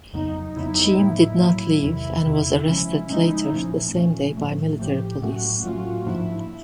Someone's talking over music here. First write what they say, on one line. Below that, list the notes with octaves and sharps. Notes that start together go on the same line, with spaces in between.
Cheam did not leave, and was arrested later the same day by military police.
F2 C#3 F#3 B3 D#4
F2 C#3 F#3 B3 E4
A2 F#3 A#3 E4
A2 F#3 A#3
E2 C3 D#3
E2 C3 D#3 E4
C#3 F3 G#3 C#4
C#3 F3 G#3 C#4 D#4
A#2 F3 A3 C#4
A#2 F3 A3 C#4
A2 F3 A3
A2 F3 A3 G4
A2 F#3 A3 C#4 F#4
A2 F#3 A3 C#4 F4
G#2 F3 A#3 D4 E4